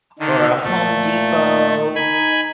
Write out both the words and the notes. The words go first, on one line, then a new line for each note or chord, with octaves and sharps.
or a Home Depot
D3 D#3
A#2 A3
D#4 G#5 B5